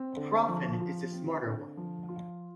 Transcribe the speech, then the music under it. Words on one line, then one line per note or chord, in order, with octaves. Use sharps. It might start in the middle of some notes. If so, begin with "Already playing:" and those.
Proffen is the smarter one.
Already playing: C4
D3
F3
F4
C4
D3
F3
F4